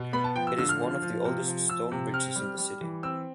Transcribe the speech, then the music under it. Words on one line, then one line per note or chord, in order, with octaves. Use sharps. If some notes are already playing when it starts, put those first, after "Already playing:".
It is one of the oldest stone bridges in the city.
Already playing: B2
B3 B5
A5
F3 G5
E6
D3 E6
F6
F3
F3
C3
F3
F3 E6
C3
C4 F6
G3
G3
E3
C4 E6